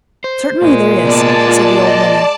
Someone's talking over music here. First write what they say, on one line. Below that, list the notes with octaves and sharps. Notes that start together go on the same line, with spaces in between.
"Certainly there is," said the old woman.
C5
A#2 G#3
C3 B3 D5 A5
B3 F4
D#5